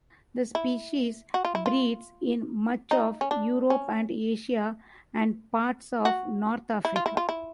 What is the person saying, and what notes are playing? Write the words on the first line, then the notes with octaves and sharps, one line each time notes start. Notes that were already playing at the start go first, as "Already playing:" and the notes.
This species breeds in much of Europe and Asia and parts of north Africa.
E4
F#4
F4
E4
F4
D#4
C#4
D4
C#4
F#4
E4
F4
E4
F4
E4